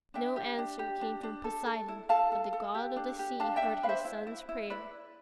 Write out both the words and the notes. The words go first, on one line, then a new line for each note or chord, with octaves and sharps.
No answer came from Poseidon, but the god of the sea heard his son's prayer.
D4 E5 G5
G4
D4
G4
D4
D4
A4
A4
E4
A4 F5 A5
A4
A4
G4
D4
G4
D4 F5 A5
E5 G5
D4
B4 F5
C5 E5
E4
E4
E4
E4 B4 D5